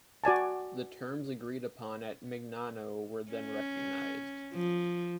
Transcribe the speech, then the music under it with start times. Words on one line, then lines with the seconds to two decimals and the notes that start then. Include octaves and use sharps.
The terms agreed upon at Mignano were then recognised.
0.24 F#4 D5 G#5 A5
3.32 C#4
4.53 F3